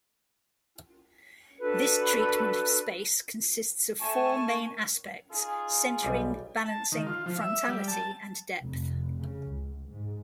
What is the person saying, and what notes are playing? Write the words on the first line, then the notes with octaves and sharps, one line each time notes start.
This treatment of space consists of four main aspects: centering, balancing, frontality, and depth.
D4 F#4 A4 B4
A3 G#5 A5 C#6
D#4 F4 G#4
B1 G3
A5
D#3
F4
F3
E5
G3
A5
F1
C#3
C#2
G#2